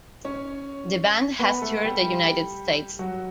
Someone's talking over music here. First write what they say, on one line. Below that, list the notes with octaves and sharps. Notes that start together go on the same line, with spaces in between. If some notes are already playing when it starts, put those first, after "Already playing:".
The band has toured the United States.
C#4 C#5
B3 B4
A3 A4
G3 G4
F#3 F#4